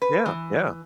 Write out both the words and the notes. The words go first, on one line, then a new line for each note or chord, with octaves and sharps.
Yeah, yeah.
B4
E3